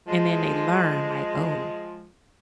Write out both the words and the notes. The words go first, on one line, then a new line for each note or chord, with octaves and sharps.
and then they learn, like, "Oh"
F3 G#3